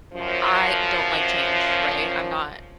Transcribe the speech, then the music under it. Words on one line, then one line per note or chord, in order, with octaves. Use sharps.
I don't like change, right? I'm not
F#2 F3